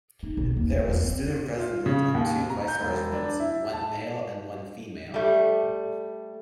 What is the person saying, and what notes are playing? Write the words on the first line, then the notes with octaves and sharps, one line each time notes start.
There was a Student President and two Vice-Presidents, one male and one female.
D#4
B1
D#2
A3
E2
C4
F4
C#3
D#2
A#5
G6
E1
D4
E4
A5
G3 A3